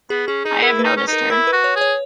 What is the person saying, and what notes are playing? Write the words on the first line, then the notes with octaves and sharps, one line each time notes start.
I have noticed her.
B3 G#4
C#4 G#4
D#4 G#4
E4 A#4
B4
D#4
C#4
D#4
A#4
E4 A#4
B4
F#4
C#5
G#4
C#5